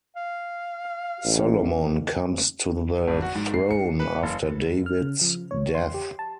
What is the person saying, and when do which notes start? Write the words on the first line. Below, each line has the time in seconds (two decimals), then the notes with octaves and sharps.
Solomon comes to the throne after David's death.
0.16 F5
1.24 A1
3.07 G#1
3.22 F#4
3.35 G#2
3.54 C7
3.71 C#7
4.00 B4
4.23 F#1
4.86 F6
5.02 C#3
5.21 F3
5.51 C#5
5.75 C6
5.94 G4
6.19 A5